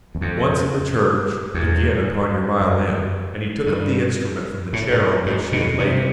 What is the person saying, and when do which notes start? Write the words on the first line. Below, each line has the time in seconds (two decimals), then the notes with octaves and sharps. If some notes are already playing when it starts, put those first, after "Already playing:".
"Once in the church, again upon your violin," and he took up the instrument from the chair on which she had laid it.
0.15 E2
0.21 F2
1.54 E2
2.61 F#2
3.66 G2
4.73 A2
4.90 G#2
5.26 G#2
5.53 B2
5.79 C3